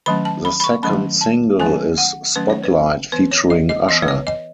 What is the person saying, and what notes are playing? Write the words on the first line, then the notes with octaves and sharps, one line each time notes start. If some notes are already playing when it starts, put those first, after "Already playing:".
The second single is "Spotlight" featuring Usher.
D#3 F#3 A3 C#4 B5
A5
B5
B5
C#6
D#3 F#3 A3 C#4 B5
A5
D#3 F#3 A3 C#4 G#5
F#5
D#3 F#3 A3 C#4 B4
C#5
B4
E3 B3 B4
C#5
D#5
D#5
E3 B3 D#5
B4
C#5
D#5